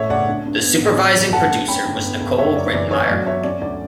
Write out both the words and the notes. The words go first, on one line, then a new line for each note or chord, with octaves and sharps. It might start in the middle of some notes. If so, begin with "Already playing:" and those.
The supervising producer was Nicole Rittenmeyer.
Already playing: A1 A3 C#5 E5
C#2 D5 F#5
D4
G2
B3
A1
F#3
G1
A3 F#5 A5
G2
C#4 G5 B5
G1
B3
C#2
F#1 C#5 E5
F#1 D5
E3 D5
G1 C#5
F#3 D5
G1 C#5 E5
C#4 D5
D2 D5